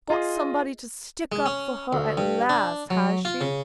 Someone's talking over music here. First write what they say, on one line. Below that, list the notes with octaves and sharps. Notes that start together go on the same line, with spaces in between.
Got somebody to stick up for her at last, has she?
F4 G#4 D#5
G#3
C#4
D2
G2
D4
F#3
F4
C#3